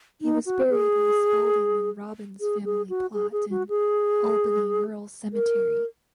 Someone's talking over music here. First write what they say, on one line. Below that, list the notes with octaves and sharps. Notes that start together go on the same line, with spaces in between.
He was buried in the Spalding and Robbins family plot in Albany Rural Cemetery.
D#4
F#4
G#4
G#4
G#4
F#4
G#4
G#4
F#4
G#4
A#4